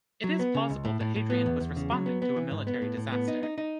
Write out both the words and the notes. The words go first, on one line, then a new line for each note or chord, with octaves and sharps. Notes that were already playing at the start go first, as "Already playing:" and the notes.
It is plausible that Hadrian was responding to a military disaster.
F#3
B3
C#3
C#2
A2
A2
A2
B3
E2
E2
C#3
F#3
B3
B3
E3
G#2
B3
A2
A2
B3
D#4
D#4
D#4